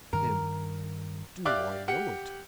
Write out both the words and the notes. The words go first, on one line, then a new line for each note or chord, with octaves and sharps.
HIM: Do I know it?
G2 D#3 A#4
G4 D5 E5 F5 D6 F#6
G4 F#5 C#7